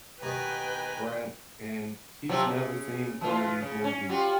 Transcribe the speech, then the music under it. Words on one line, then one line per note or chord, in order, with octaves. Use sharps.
E Right, and she's never seen some of these movies,
D#2 B2 B4 G5 G#5 A#5 B5
C3 F3 F#3
C#3
E3 F4
C#3
C#4
G3 F4 F#4